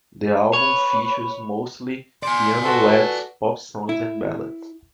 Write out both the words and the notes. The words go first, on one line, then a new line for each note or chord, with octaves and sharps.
The album features mostly piano-led pop songs and ballads.
B4 C#5
D5 G#5 C6
F#4 A4 B4
E4